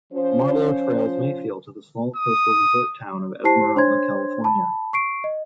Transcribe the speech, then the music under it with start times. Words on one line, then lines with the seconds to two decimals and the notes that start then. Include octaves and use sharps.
Marlowe trails Mayfield to the small coastal resort town of Esmeralda, California.
0.13 F3 C#4 C5
2.16 D#6
3.44 E4 G4 C5 A5 C7
3.76 D4 C5 C#5 C6 G#6
4.44 A5 B5
4.93 C#6 C7 D7
5.24 D#5